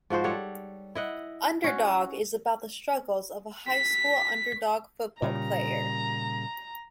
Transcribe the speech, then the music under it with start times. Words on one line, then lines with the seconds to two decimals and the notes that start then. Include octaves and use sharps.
"Underdog" is about the struggles of a high school underdog football player.
0.10 G#2 F3 F#4 C5
0.24 G3 A4 C#5 F#5
0.95 E4 D#5 F#5
1.64 C#4 F#4
3.68 B6
5.22 A#2 C#3 G3 A#5